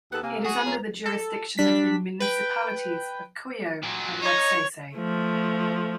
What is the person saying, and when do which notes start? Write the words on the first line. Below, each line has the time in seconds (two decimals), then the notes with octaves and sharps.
It is under the jurisdiction of the municipalities of Cuyo and Magsaysay.
0.12 D#2 B3 A4 F#6
0.23 C3 A#3 G#5
0.45 F#4 G#4 D#6
0.66 F2 F4 C#5 A#5
1.06 A4
1.58 G3 D4 B6
2.20 B4 G5
3.83 A#2 F#3
4.22 D#4 C#5
4.94 F3 A3